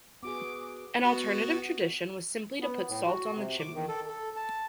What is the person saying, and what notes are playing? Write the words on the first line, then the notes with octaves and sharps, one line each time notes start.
An alternative tradition was simply to put salt on the chimney.
B3 F#4 G#4 D6
B3 F#4
B3
A2
F#4
C3
D6
D#3
A4
A4
A5